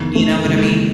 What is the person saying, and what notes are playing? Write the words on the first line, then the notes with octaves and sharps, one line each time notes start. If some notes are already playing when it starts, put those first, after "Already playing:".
You know what I mean?
Already playing: F#1 E2 D#3
A3
D#2 C#3 E3 G#3